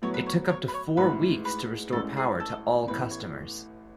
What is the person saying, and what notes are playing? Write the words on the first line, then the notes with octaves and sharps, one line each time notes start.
It took up to four weeks to restore power to all customers.
A2 F#3 B3 C#5
B4
C#5
C#5
B4
C#5
A1 G#2 E3 B4
B4
A1 A2 E3 G#3 C#4 A4
G#4
A4
A1 A2 E3 B3 B4
C#5